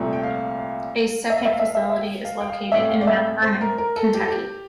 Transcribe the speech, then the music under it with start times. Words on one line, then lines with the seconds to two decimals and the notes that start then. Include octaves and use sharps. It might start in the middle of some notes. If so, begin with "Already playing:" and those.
A second facility is located in Mount Vernon, Kentucky.
Already playing: C2 A#2 F3 A3 C4
0.13 G5
0.23 F5
0.59 F5
1.30 E5
1.37 F5
1.45 E5
1.52 F5
1.59 E5
1.67 F5
1.75 E5
1.82 F5
1.90 E5
2.01 G5
2.25 F5
2.41 G5
2.48 F5
2.72 A2 E3 A3 C4 E5
2.89 F5
3.01 D5
3.07 E5
3.42 C5
3.61 A#4
3.78 A#4
3.96 A4
4.14 G4
4.21 A4
4.28 G4